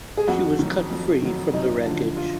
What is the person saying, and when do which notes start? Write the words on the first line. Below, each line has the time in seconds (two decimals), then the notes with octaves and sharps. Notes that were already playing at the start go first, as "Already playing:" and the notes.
She was cut free from the wreckage.
0.17 G#4
0.28 F2 F#4
0.59 D#3 F#3
0.90 F2
1.22 D#3 F#3
1.54 F#2 D#4
1.85 D3 F3
2.17 F4